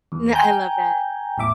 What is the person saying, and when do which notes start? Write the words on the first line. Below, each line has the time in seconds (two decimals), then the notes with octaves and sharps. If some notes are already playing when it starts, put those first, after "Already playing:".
Yeah, I love that.
0.12 E2
0.35 G5 G#5 A#5 G6
1.38 A1 E2 E5 D6